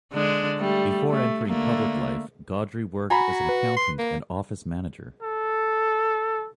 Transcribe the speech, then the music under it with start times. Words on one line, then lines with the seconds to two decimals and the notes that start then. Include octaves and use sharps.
Before entering public life, Gaudry worked as an accountant and office manager.
0.12 D3 G#3 D4
0.59 G3 A3
1.11 A3
1.48 D3 A3 A#3
3.10 F#4 G#5 A#5 B5
3.49 B4
3.76 C6
3.99 A#3
5.23 A4